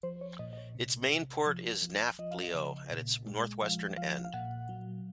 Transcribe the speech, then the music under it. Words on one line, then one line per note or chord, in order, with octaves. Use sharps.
Its main port is Nafplio, at its northwestern end.
F3 C5
C#5
A#2 D#5
D#5
C#5
C3
C3
F3
F3
F3 D#5
F5
D#5
C#3
A#2
G#3
F3 F5
F3 F5
F5
A#2 F#5
F#3